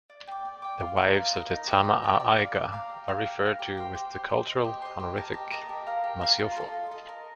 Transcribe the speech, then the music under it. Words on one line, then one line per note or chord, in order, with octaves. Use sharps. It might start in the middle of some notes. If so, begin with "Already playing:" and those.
The wives of the Tama-a-Aiga are referred to with the cultural honorific "Masiofo".
D5
G5 D6
D5
G5 D6
F4
A#4
D#5
F4
A#4 D#5
D#4
G4 D5
D#4
G4 D5
D5
F5 A#5 D6
D5
F5 A#5 D6
G4
A#4 F5
G4
A#4 F5
G4
C5 G5
G4
C5 G5
G4
C5 D#5
G4
C5 D#5
G4
A#4 D#5 A5
G4
A#4 D#5 A5
G4
A#4 F5 A#5
G4
A#4 F5 A#5
F4
A4 D#5
F4
A4 D#5
A#4